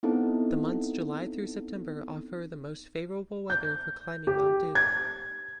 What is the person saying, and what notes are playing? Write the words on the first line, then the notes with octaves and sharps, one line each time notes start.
The months July through September offer the most favorable weather for climbing Mount Duke.
B3 C4 D#4 E4 A4
G6
G4
G#6